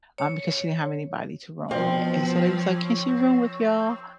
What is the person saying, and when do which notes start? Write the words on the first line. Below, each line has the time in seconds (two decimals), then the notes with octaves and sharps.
um, because she didn't have anybody to room with, and so they was, like, "Can she room with y'all?"
0.18 C#5
1.71 B2 F3 C4
2.58 C#5